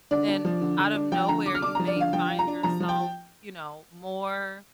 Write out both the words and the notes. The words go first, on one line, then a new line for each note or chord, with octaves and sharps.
then out of nowhere, you may find yourself, you know, more
D3 D5
D4
F3
D3
D3
D4
F3 G5
D3 A#5
D3 D6
F6
D4 D6
F3 A#5
D5
D3 F5
F3 G5
F4
A#5
D4
F3 A#5
F3
G5